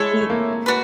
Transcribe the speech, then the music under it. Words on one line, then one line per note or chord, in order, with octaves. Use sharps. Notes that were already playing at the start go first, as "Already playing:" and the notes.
Oh, yeah.
Already playing: G#3 E4 A4 C#5
A3
A#3
D4 F#4 B4